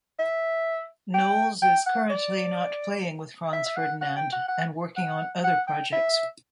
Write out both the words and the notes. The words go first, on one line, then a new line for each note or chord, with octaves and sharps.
Knowles is currently not playing with Franz Ferdinand and working on other projects.
E5
G5
G5
F#5
D5
E5
E5
F#5
F#5
G5
F#5
F#5
F#5
F#5
G5
E5